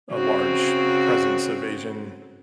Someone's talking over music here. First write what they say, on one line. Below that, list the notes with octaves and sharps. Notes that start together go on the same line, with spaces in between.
a large presence of Asian,
C#3 C4 F#4